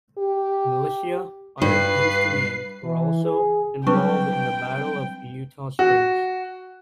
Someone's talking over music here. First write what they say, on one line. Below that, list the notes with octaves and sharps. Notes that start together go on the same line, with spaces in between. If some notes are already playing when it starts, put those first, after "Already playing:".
Militia under Penn's command were also involved in the Battle of Eutaw Springs.
G4
G2 B4 C7
E3
G#4
F#3 G3 C4 D4 B4 G5 C#6
F#4